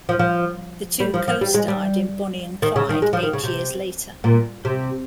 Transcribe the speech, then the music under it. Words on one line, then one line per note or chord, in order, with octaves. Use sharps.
The two co-starred in "Bonnie and Clyde" eight years later.
F3
F3
G3
F3
F3
G3
G#3
G3
D#3
C#3
D#3
G#3
F3
D#3
C#3
C3
A#2
C3